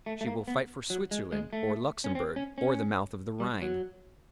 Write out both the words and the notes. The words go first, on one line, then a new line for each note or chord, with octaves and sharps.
She will fight for Switzerland or Luxembourg, or the mouth of the Rhine.
A3
A3
A#3
B3
F#3
G#3
G#3
A3
C#4
C4
C#4
C#4
G3
F#3